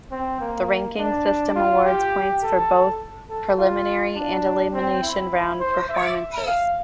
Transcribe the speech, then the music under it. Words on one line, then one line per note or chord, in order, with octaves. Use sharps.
The ranking system awards points for both preliminary and elimination round performances.
C4
A#3
D4
F4
G4
A4
A4
F4
D4
C4
E4
C5
E5
F5